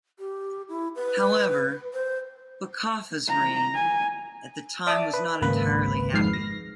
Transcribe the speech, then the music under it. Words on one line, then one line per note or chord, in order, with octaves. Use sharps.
However, Bakaffa's reign at the time was not entirely happy.
G4
E4
B4
C5
A#5
G#5
D5 E5 A5 D6 D#6
B4
G#1 C#2 A#3 B4 B5
G#1 F2 G#2 F6 C7
A#6